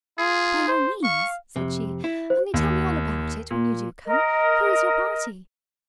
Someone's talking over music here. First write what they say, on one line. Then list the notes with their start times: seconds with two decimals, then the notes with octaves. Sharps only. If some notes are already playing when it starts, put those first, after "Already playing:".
"By all means," said she; "only tell me all about it, when you do come. Who is your party?"
0.19 F4 G#4
0.68 C5
1.04 F5 C#6
1.56 F2 C3
2.04 E4
2.30 C5
2.54 D#2
3.51 A#2
4.05 A#4 D#5